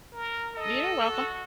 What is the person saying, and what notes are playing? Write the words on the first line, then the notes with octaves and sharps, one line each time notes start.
You're welcome.
A#4
A4 D#5
F#4